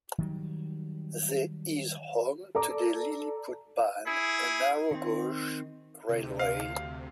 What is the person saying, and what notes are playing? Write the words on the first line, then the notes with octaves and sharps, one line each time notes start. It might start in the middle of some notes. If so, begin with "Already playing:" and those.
The is home to the Liliputbahn, a narrow gauge railway.
D#3 F#3 G3
A4 D5 A#5 D6
E4 G#4
D#3 C4
D2 C3
F5